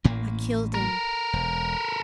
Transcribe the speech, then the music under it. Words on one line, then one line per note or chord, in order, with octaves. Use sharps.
I killed him.
A1 A2 A#3
A4 A#4
E1